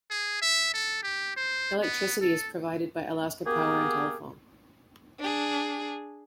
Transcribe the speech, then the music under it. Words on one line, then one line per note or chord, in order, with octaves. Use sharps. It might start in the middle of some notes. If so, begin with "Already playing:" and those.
Electricity is provided by Alaska Power and Telephone.
G#4
E5
A4
G4
C5
B3
A4
A#3 B3 G4 G#4 A#4
D4 G#4